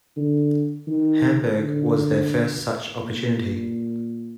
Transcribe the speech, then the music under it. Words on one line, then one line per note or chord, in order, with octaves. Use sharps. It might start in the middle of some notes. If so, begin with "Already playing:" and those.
Hamburg was their first such opportunity.
D3
D#3
D3
A#2